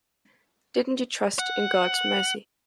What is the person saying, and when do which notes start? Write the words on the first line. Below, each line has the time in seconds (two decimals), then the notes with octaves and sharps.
Didn't you trust in God's mercy?
1.39 F#5